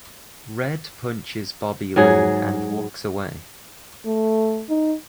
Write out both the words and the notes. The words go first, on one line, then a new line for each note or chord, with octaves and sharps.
Red punches Bobby Lee and walks away.
G#2 F#3 G#4
A3
D#4